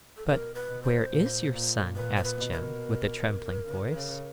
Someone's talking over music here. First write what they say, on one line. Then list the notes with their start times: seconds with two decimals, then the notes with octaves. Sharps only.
'But where is your son?' asked Jem, with a trembling voice.
0.17 A4
0.26 B2 A#4
0.55 B4
0.69 B2
0.83 C5
1.11 A#2
1.54 A#2
1.96 A#2 B4
2.16 C5
2.24 B4
2.37 B2
2.52 B4
2.56 A#4
3.65 C#3
3.93 C#3